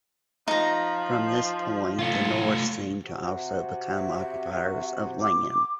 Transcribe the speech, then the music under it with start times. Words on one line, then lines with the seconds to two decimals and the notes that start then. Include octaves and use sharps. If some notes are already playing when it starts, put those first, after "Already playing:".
From this point the Norse seem to also become occupiers of land.
0.48 F3 D#4 A#5
1.99 A3 F4
3.04 C3 F#4
3.89 E5
5.21 D6